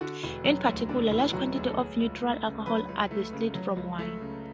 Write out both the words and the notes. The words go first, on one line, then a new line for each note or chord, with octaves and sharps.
In particular, large quantities of neutral alcohol are distilled from wine.
D3 F#4
E1
F#3
D2
D3 D4
E1 E4
F#3 F#4
D2 G#4
A4
F#3 G#4
C#2
A3
C#3
F#3 B4
C#2
A3
C#3
F#3
C#2
A3
C#3